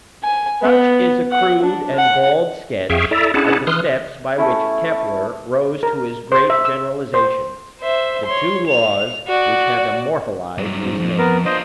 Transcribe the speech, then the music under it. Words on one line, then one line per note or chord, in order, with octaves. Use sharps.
Such is a crude and bald sketch of the steps by which Kepler rose to his great generalizations--the two laws which have immortalized his name.
G#5
B3
F#5
D4
F#5
F2 G#4 E5 F5 G5 C#6
E4 A4 D5 E5 A#5
C#4 D4 E4 G#4 F#5 A5
E3 C6 D#6 F6 F#6
A3 C#4 E4
A#4
C5
E5
E6
C5
C5 E5
C#5 C6
F7
F#4 D5
G2 F#3
G#2
F2
B3 A#4
D4 F4 C5 D#5